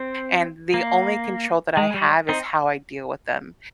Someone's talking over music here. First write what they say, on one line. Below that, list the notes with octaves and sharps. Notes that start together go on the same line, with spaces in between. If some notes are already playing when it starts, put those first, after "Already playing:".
and the only control that I have is how I deal with them
Already playing: C4
A#3
G#3
G3
C4 D#4